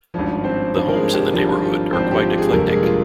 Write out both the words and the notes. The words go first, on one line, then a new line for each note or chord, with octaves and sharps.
The homes in the neighborhood are quite eclectic.
G#1 G2 F3 C#4 C#5
C4 C5
G#1 G2 F3
A#4
G#3 G#4
G3 G4
G#1 G2 F3 F4
F4
F4
G#1 G2 F3 C4 C5
G4
F4
G#3 G#4
G1 F2 C3 A#3 A#4
G#3 G#4
F4